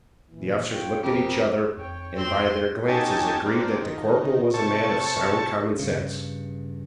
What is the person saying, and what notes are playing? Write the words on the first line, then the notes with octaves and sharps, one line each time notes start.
The officers looked at each other, and by their glances agreed that the corporal was a man of sound common sense.
A#2 E3
F4 C#5 G5
F2 C4 G4 A#4
F2 C#5 G5
C4 C6
C#4 D#4 G4 A4 G#5 A5
A#3 C4 D4
D#3
C3 A4 C#5 A5 C#6
G2 C#3